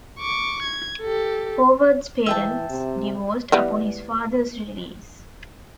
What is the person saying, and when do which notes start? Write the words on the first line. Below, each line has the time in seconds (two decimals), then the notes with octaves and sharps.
Howard's parents divorced upon his father's release.
0.19 C#6 D6
0.63 G#6
1.01 G4 A4
2.26 E3 E5 G5 A5
2.70 C3
3.52 E3 G3 B3